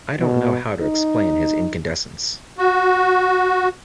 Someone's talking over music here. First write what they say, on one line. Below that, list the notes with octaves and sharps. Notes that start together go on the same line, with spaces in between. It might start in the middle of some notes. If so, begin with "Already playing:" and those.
I don't know how to explain his incandescence.
B2
D#4
F#4